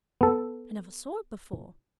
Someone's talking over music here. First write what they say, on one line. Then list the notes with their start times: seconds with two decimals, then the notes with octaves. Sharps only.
I never saw it before.
0.21 B3 A4